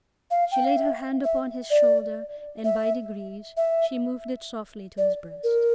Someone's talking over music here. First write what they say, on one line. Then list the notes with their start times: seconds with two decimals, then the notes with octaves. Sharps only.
She laid her hand upon his shoulder, and by degrees she moved it softly to his breast.
0.31 F5
0.52 G5
0.65 F5
0.77 E5
1.24 E5
1.70 D5
2.64 E5
3.57 E5
4.98 D5
5.44 A#4